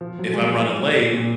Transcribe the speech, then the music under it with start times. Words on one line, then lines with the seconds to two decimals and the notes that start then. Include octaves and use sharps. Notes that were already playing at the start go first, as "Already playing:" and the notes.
if I'm running late
0.01 F3
0.19 F#3
0.34 G#3
0.38 F#3
1.13 A#2